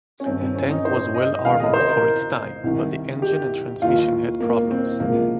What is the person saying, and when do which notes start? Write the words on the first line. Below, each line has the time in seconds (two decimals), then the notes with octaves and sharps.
The tank was well-armoured for its time, but the engine and transmission had problems.
0.20 C#4
0.26 G2 D#3 C4
0.41 C4
0.55 C#4
0.71 D#4
0.85 C5
1.15 D#5
1.44 C#2 C3 D#3 F5
1.60 D#5
1.74 C5
1.89 A#4
2.64 C2 C3 D#3
3.22 G4
3.82 D#2 D#3 F4
4.40 A#3
4.71 C4
5.00 C#2 C3 F3 A#3